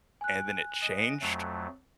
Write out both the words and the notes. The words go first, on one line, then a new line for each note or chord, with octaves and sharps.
and then it changed,
G#5 F#6
D#5
F2 F#3 A3